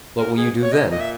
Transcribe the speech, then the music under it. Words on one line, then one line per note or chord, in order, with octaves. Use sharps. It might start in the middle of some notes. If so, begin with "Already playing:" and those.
"What will you do then?"
A#2 A#4
B2 G#4
A#2
C#5
B2 D#5
A#2 D#5
E5